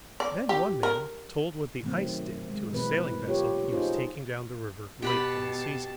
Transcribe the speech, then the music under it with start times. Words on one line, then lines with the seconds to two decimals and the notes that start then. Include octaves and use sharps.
Then one man told what the ice did to a sailing-vessel he was taking down the river late one season.
0.20 D5
0.49 G4
0.83 A#4
1.82 B2 D#3 F#3 A3 C4
2.50 G#3
2.73 B2 E3 C4 B4
3.09 A#3
3.27 F4 G4 C#5
3.72 D#4 F4 G#4 A4 C5
5.02 B2 G4 F#5 A5 B5